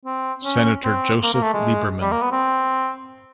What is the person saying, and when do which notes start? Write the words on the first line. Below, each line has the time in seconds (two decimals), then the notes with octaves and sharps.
Senator Joseph Lieberman.
0.05 C4
0.44 C#4
0.84 C4
1.23 A#3
1.34 A#3
1.42 A3
1.53 G#3
2.02 G3
2.12 A#3
2.22 B3
2.32 C4